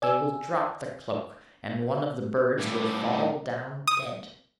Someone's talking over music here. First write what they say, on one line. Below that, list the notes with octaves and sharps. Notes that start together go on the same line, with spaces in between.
They will drop the cloak, and one of the birds will fall down dead.
D5 G#5 E6
A2 G3
D#6